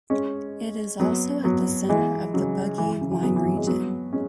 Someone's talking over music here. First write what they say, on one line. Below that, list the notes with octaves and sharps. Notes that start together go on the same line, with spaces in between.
It is also at the centre of the Bugey wine region.
G#3 C#4
F#3 B3
F#3 B3
E3 G#3
C#3 F#3
E3
E3
C#3
E3
F#3 B3
E3
F#3
G#3
F#3 B3
G#3 C#4